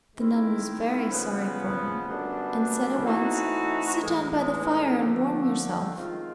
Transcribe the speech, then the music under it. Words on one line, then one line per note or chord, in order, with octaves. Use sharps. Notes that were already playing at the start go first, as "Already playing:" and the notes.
The nun was very sorry for him, and said at once: 'Sit down by the fire and warm yourself.'
D#3 G#3 C4 E4
C#3 F3 G#3 B3
F#2 D3 G3 B3 D4
E3 A3 C4 D#4 F#4
A2 E3 G#3
D3 F3 A3
D#3 G#3 C4 F4